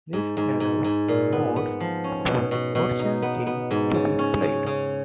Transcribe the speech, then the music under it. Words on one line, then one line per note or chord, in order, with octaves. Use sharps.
This allows mods for the original game to be played.
G#2
G#2
G#2
G#2
A#2
B3
B3
F3
C#4
B2
B2
B2
D#4
B3
B3
G#2
C#3
C#4
C#3
C#3